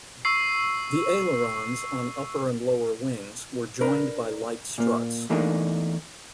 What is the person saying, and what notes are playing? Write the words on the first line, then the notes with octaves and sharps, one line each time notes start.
The ailerons, on upper and lower wings, were joined by light struts.
C#6 E6 C7
D4 A#4 B4
A#2 A#3
E2 E3 A3 A#3 D4 D#4